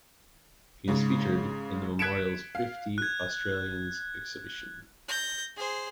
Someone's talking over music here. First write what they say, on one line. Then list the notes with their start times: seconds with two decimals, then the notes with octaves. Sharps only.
He is featured in the Memorial's Fifty Australians exhibition.
0.88 G#2 C#3
1.99 F#6 G#6 B6 C#7 D7 E7
2.55 F5
2.98 F#6 G#6
5.08 G6 A#6
5.57 G#4 C5